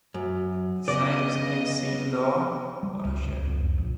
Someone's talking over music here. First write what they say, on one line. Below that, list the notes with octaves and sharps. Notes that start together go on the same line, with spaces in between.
The site is near Seine-Loire watershed.
F#2
C#3 B3 D5 D#5
G3
C#2
C#2
F2
C#2
A#1